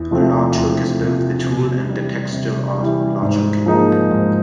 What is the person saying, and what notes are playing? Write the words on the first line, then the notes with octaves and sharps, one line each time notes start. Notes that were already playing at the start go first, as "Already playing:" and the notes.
A latch hook is both the tool and the textile art of latch hooking.
Already playing: E2
C3 F3 A3 C4
E2
C3 F3 A3 C4
C3
E3 G3
C3
E3 G3
G#2
F3 A#3 D#4 G#4
G#2